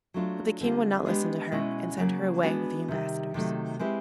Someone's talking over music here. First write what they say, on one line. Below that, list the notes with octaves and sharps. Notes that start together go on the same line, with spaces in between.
But the King would not listen to her, and sent her away with the ambassadors.
F#3 A3 D4 F4
D3 G3 C4 F4
G#3 B3 D4 G4 B4
B2 G#3 C#4 E4
C#3 F#3 A#3
G#3 B3 D4 F#4 B4
C3 D#3 G3
C3 D#3 F#3 A3
G#3 C4 E4 G4 B4